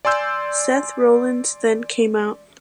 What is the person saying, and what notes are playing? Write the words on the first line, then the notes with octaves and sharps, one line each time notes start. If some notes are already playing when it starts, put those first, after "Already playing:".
Seth Rollins then came out.
D5 G#5 C6 E6 G6